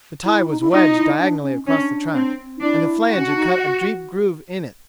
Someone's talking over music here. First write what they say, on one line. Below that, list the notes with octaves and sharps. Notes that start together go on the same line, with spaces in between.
The tie was wedged diagonally across the track, and the flange had cut a deep groove in it.
E4
D#4
E4
D#4 F4
E4
D4
C#4
C#4 D4
C4
D#4
D4 E4
F#4
C#4
D4
D#4